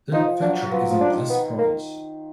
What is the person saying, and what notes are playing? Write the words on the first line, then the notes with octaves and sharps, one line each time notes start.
The factory is in this province.
F3 D#4
F#3 D4
F#3
F3 B3
F3
D4
D#3
B3
A#3